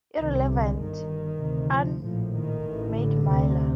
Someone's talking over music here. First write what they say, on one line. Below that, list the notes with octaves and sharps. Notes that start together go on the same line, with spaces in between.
Irrelevant, Ahmad Miller.
C2 C3 D#3
D3
G1 G2 D#3
D2 C3
F3
A#1 A2 F3
D#3
A1 A2
D3
D2 C3